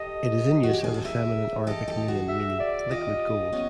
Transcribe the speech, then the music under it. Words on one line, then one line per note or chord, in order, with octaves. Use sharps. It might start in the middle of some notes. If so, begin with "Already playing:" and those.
It is in use as a feminine Arabic name meaning "liquid gold".
Already playing: G4 A4 D#5
F#4
G4
G#4
A4
G#4 A#4 E5
G4 A4 D#5
G4 A4
F#4 G#4
E5
D5
F4 G4 D#5
B3 C#4